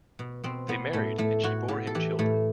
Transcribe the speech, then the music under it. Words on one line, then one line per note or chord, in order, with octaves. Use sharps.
They married, and she bore him children.
B2
B2 C4
B2 B3
A2 A3
A2 A3
A2 F#4
A2 G4
A4
E3 G4
A2 A3